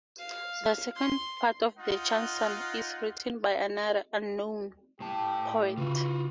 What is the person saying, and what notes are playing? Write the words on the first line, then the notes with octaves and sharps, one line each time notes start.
The second part of the "Chanson" is written by another, unknown, poet.
F5
C6
D#4 F4 F#5
A2 G4 A5
C#3 F4 F#4 B4